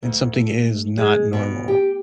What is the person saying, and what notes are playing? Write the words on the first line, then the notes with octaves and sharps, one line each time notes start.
and something is not normal,
D2
A3
G#3
B2
G4